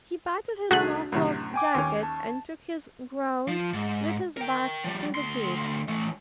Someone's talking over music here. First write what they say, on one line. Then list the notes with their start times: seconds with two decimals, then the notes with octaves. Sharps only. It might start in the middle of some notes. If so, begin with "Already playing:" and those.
He patted his Norfolk jacket and took his ground with his back to the gate.
0.71 C2 A3 D4 F#4 G#4 F#6
1.12 F#2 A2 C3
1.54 G5 G#5 D6
1.75 D#2 C#4
2.03 A5
3.48 F3
3.74 G#2
4.37 A#4 G5
4.84 F3 G3
5.15 D2 C6
5.88 E3 A3